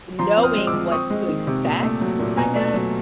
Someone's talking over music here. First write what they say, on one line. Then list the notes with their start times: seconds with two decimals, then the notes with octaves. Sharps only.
knowing what to expect, kind of,
0.19 F3 A#5 C6
0.37 C4
0.43 D#6 F6
0.55 G#3
0.67 D6 E6
0.73 F3
0.92 C4 C#6 D#6
1.10 G#3
1.28 D#3
1.47 C3
1.65 A#2
1.83 A3
2.01 F#3
2.19 A#2
2.37 B2 G#5 A#5
2.56 A3
2.74 F#3